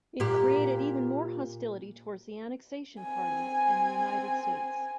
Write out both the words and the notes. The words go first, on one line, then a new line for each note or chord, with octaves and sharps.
It created even more hostility towards the annexation party, and the United States.
A#2 G4
C4 G#5